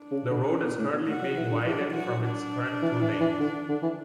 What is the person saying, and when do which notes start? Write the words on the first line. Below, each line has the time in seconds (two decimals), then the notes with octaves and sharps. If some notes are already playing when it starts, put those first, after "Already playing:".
The road is currently being widened from its current two lanes.
Already playing: D4
0.11 C#3
0.30 D3
0.49 C#3
0.63 B2
0.78 A2
0.92 B2
1.07 A2 F#4
1.22 F#3
1.36 E3
1.51 D3
1.66 E3 D4
1.80 F#3
1.94 E3 F#4
2.09 F#3
2.24 D4
2.82 E3
3.01 E3
3.20 E3
3.40 D3
3.69 D3
3.82 E3